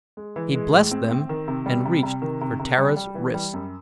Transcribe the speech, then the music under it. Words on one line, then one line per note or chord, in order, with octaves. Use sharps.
He blessed them and reached for Tara's wrist.
G#3
E3
G#3
A2
C4
C4
D#3
C3
G3
C3
C3
D#3
C3
C3
G3
G3
E3
G3
F#2